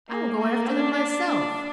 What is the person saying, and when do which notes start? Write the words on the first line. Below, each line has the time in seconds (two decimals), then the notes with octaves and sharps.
'I will go after them myself.
0.09 A#3
0.39 A#3
0.68 D4
1.27 D4